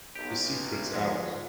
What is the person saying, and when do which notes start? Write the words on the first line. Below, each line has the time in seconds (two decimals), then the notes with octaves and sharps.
The secret's out.
0.15 B1 G4
0.93 D2 F3 G#3